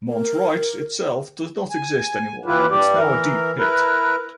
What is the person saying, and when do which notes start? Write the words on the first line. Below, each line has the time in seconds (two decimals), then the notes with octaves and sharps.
Mont Wright itself does not exist anymore; it's now a deep pit.
0.08 A#4
1.71 G#5
2.46 D#2 E3 E4 F4 G4 B4
2.70 G2 G3 G4 D5
2.98 E3 A#4
3.58 E4 A#4 B4